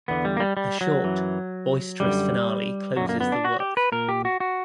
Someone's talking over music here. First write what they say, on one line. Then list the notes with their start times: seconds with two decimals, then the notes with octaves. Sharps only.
A short, boisterous finale closes the work.
0.08 E2 D3 B3
0.25 G3
0.37 A#3
0.40 G3
0.57 G3
0.81 F#3
1.04 F#2 E3
2.00 F#2 D3 G3
2.96 F#2 D3 F#3
3.09 A#3
3.21 B3
3.32 D4
3.45 F#4
3.60 G4
3.77 B4
3.92 A#2 A#4
4.09 G4
4.25 F#4
4.40 F#4